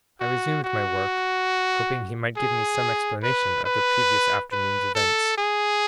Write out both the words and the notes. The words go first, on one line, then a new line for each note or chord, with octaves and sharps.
I resumed my work, hoping he might give me some explanation of the previous afternoon's events.
F#4
F#4
G#4
B4
B4
B4
A4
G#4